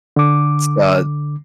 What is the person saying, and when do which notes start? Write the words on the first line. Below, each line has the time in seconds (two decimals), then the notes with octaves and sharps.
It's, uh,
0.16 D3 D6